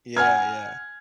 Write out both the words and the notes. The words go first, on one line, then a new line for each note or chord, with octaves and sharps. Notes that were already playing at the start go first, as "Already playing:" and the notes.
Yeah, yeah.
F#5 G#5 F6 G#6